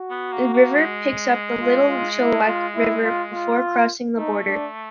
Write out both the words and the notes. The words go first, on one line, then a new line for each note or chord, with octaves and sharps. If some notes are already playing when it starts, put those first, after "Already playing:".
The river picks up the Little Chilliwack River before crossing the border.
Already playing: F#4
B3
A#3
A#3
G#3
F4
F4
E4
F4
E4
F4
F4
A3 D#4
D4